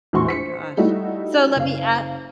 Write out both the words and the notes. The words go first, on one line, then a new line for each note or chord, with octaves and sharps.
Ooh gosh. So, let me a
A#1 E2 A2 F#4 C6 C#6
C5 B6 C#7
G3 A3 D#4 E4 F#4
F#1 F5